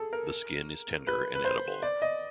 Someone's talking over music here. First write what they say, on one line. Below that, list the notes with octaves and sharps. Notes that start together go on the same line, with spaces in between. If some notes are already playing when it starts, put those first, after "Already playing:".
The skin is tender and edible.
Already playing: G#4 A4
A#4
B4
B4
C5
D5
D#5